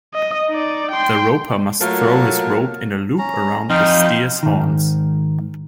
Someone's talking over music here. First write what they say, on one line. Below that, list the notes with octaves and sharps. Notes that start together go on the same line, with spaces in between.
The roper must throw his rope in a loop around the steer's horns.
D#5
D#4 D5
G5 C6
F#3 A3 A#3 F4 A#4 A5
C#4 A#5
F2 D#4 G5 C6 F6
G#2 D#3